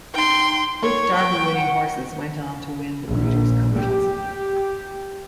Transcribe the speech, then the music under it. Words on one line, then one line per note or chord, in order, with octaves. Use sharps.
Both Derby-winning horses went on to win the Breeders' Cup Classic.
D#4 G5 C6
C#5 C#6
G5
F#5
A#1
G4